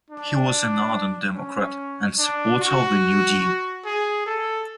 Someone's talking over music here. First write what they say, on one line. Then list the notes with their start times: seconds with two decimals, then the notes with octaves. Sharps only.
He was an ardent Democrat and supporter of the New Deal.
0.10 D4
1.35 C#4
2.18 D4
2.60 F#4
3.85 G#4
4.26 A4